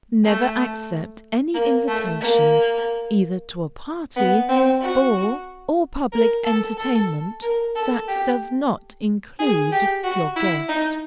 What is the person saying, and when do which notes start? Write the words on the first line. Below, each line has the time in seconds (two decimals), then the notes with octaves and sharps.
Never accept any invitation, either to a party, ball, or public entertainment, that does not include your guest.
0.24 A3
1.54 A#3
1.88 A3
2.21 A#3
4.16 B3
4.48 C4
4.81 F#4
6.12 A#4
6.45 A4
6.77 A4
7.42 A#4
7.76 A4
8.08 G4
9.39 G#4
9.72 G4
10.03 F#4
10.36 E4
10.69 D#4